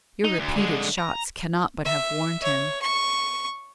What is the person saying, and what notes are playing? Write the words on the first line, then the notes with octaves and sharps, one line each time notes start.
Your repeated shots cannot but have warned him.
D#4
D2
D3 G#3
A#5
E5
C#5
C#6